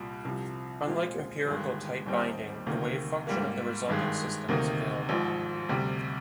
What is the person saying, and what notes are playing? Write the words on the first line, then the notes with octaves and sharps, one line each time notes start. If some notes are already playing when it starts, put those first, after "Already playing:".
Unlike empirical tight binding the wavefunction of the resulting system is available.
Already playing: C2 A#2 G3
C2 C3 F3
A#2 G#3 C4 F4
G1 G2 D#3 G#3
D#2 D#3 G3 C4 D#4
D2 C3 D#3 A#3
G#2 G3 A#3
G#1 G2 D#3 G#3
D2 C3 D#3 A#3 D#4
G#1 G#2 F3
D2 C3 G3